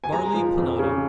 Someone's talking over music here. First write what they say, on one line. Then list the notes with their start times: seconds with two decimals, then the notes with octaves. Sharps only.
Barley Panada.
0.04 G#5
0.12 G#3 A#5
0.34 F3
0.57 F2
0.79 C#3